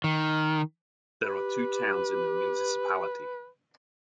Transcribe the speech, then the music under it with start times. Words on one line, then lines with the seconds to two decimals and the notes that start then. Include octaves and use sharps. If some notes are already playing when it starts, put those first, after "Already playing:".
There are two towns in the municipality.
0.04 D#3
1.23 G4 B4